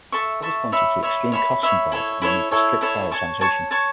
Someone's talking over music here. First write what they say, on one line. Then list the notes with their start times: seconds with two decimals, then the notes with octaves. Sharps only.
Others pointed to the extreme costs involved and the need for strict prioritisation.
0.12 A4 E5 C#6
0.42 A4 E5 C#6
0.72 C#5 E5 B5
1.03 C#5 E5 B5
1.32 C#5 E5 B5
1.63 C#5 E5 B5
1.92 E4 A4 C#5
2.22 E4 A4 C#5
2.51 E4 A4 C#5
2.81 E4 A4 C#5
3.12 C#5 A5 C#6
3.41 C#5 A5 C#6
3.71 C#5 A5 C#6